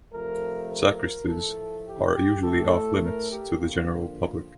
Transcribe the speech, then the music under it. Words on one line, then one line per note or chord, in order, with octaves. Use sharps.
Sacristies are usually off limits to the general public.
C3 F3 A3 A#4
A#4
A2 F3 A3 A4
G4
G4
A2 A3 A4
A#4
G4
D3 F3 A#3 F4